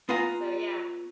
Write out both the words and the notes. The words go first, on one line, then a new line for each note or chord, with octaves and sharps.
So, yeah.
B3 F4 B4 F5 G#5 A#5